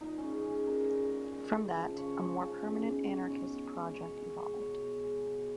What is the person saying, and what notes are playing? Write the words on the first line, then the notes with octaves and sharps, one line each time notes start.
From that, a more permanent anarchist project evolved.
A#2 D#4
G#3 C#4
G#4
G#3
G#4
A#2 A#4
A#2
G#3
G#3
C#3
F3
C#3 C#5
G#3
C#3
B2
G#3
G#3
B2 C#5
B2
G#3
B2 C#5
G#3
G#3
B2 C#5
B2
G#3
B2